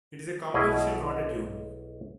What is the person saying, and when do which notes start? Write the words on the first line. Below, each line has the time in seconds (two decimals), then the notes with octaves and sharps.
It is a composition not a tune.
0.54 B1 B2 E4 G#4 D#5